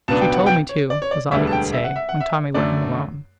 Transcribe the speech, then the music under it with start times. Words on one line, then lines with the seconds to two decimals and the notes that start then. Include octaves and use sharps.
"She told me to," was all he could say, when Tommy let him alone.
0.08 C#2 B2 F#3 B3 D4 A5
0.21 G5
0.34 F#5
0.46 G5
0.69 C#5
0.90 D5
1.02 C#5
1.11 D5
1.31 E1 D2 D3 G3 B3 E5
1.47 A5
1.53 G5
1.73 E5
1.84 F#5
1.96 E5
2.09 F#5
2.20 E5
2.54 F#2 D3 A3 D5